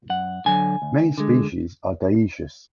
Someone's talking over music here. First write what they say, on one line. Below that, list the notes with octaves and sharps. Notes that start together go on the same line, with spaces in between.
Many species are dioecious.
F#2 F#5
D3 F#3 G#5
D2
D3 G#3